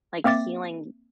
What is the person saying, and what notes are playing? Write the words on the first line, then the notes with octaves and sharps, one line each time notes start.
like healing
A#3 C4 E5 D6 A6